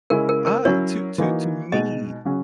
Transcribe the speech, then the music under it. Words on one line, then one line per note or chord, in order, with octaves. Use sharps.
Uh, i to to to me
C#3 G#3 C#4 E4 A#4
A#4
A#4
F#3 C#4 E4 C#5
E3 A#3 D#4 F#4
B2 G#3 D#4 F#4 D#5
C#3 F#3 C#4 F#4